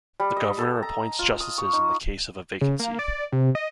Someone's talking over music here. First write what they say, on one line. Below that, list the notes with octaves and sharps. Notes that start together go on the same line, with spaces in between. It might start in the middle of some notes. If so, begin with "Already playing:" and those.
The Governor appoints Justices in the case of a vacancy.
G3
D#5
A4
A#5
F4
D#6
C#6
D#4
C#3
A#3
D5
C3
D#5